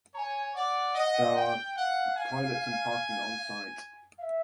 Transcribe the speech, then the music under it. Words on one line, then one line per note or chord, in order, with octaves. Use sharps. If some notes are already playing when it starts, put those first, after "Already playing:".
There are toilets and parking onsite.
C#5 G#5 A#5
D5 F#5
D#5
G5
F5 F#5
G#5
F5
E5